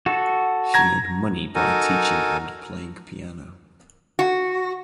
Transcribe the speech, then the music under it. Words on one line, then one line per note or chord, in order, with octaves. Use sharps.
She earned money by teaching and playing piano.
F#4 A4
A#5 G#6 A#6
D#4 F#4 A4 A#4 G#5
F#4